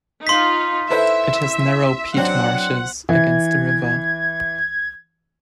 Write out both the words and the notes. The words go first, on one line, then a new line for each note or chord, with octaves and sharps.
It has narrow peat marshes against the river.
D#4 F4 C6 B6
E4 A4 B4 C5 E5
F#3 C4 D4 F#5
E3 G#6